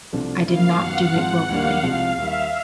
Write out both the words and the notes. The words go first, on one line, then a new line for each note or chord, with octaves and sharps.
I did not do it wilfully.
C2 C3 F3 A3 D4
C#3 F#3 A#3 C#4 E4 F5
F#2 D#3 F#3 B3 F#5
G#2 F3 G#3 C4 F#5
D#2 D#3 G3 A#3 D4 F5
C2 C3 F3 G#3
D#2 D#3 G3 E5